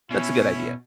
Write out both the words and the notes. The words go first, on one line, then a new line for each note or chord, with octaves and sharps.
That's a good idea.
B2 C#4 E4